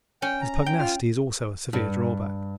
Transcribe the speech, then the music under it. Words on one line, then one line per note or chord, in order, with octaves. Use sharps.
His pugnacity is also a severe drawback.
C#4 G5
A#5
G5
F4 F6
G2